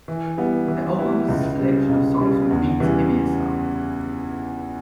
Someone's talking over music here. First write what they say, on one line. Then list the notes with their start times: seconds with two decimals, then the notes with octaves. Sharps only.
The album is a selection of songs from Queen's heavier side.
0.08 E3
0.38 G3 B3 E4
0.68 E3
0.99 G3 B3 E4
1.28 C#2
1.59 C#3 G3
1.89 C#2
2.20 C#3 G3
2.50 E2
2.80 C#3 E3 G3